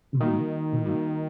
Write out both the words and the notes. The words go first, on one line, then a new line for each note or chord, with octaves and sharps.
Mhm. Mhm.
D#3 G3 A#3 D#4 F#4
G3 A#3 D#4 F#4